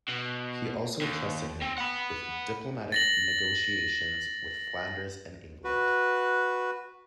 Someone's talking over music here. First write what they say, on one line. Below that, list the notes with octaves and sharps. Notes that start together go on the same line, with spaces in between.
He also entrusted him with diplomatic negotiations with Flanders and England.
B2
D#2
C4
F#5 B5
A6 A#6 F#7
F#4 B4